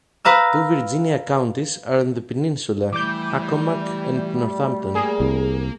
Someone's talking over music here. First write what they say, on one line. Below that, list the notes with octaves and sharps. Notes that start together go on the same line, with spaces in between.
Two Virginia counties are on the peninsula: Accomack and Northampton.
B4 F5 A#5 E6
E3 G3 A3 D6 G6
A#3 G#4
C2